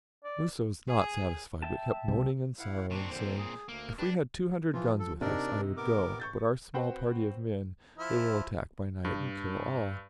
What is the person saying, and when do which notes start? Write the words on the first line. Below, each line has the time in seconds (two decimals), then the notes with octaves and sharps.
Musa was not satisfied, but kept moaning and sorrowing, saying, "If we had two hundred guns with us I would go; but our small party of men they will attack by night, and kill all."
0.24 D5
0.87 G#4 G#5
1.62 E5 G5 A5
2.08 C2 C3 G3
2.59 E4 F5 F#5
2.91 A#2 C4 D4 C#6
3.11 F2 D3 C5
3.38 G#4
3.69 D2 A#3
3.99 D4 G4 B4
4.74 E3 F3 F4
4.99 A4
5.21 C3 D4 D#4 A#4 D5
5.77 B3 A#4 D6
6.20 C#6 G6 A6
6.74 C4 F#4 B4 C5 F#5 G5
7.98 F3 E4
9.05 G2